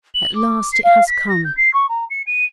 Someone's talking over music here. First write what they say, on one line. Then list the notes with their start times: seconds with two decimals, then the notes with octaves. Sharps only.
"At last, it has come!"
0.14 F#7
0.35 D6
0.72 C7
0.83 F5
1.07 B6
1.28 A#6
1.44 G6
1.57 C7
1.73 C#6
1.89 A#5
2.10 C#7
2.26 D#7